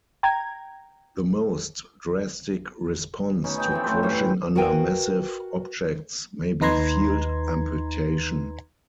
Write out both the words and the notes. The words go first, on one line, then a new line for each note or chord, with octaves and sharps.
The most drastic response to crushing under massive objects may be field amputation.
G5 A#5 G#6
B2 C#4 D#4
D#4 G5
E3 F3 A3
F#3 C4
G2 E3 G5
A2
F#4 A#4 B4 F5 G5 G#5
D#2 D#4 B4 A#5 C6 G#6